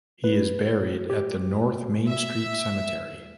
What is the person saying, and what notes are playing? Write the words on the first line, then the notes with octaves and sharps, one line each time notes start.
He is buried at the North Main Street Cemetery.
B4
G4
E5